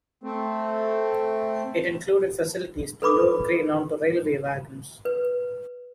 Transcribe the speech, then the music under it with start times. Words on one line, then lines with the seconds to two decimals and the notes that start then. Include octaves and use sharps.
It included facilities to load grain onto railway wagons.
0.24 A3 C4
3.02 A4 B4 B5 D6 D#6
5.05 B4